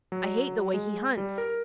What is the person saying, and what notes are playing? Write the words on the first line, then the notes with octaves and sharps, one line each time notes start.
I hate the way he hunts!
F#3
G#3
G3
A#4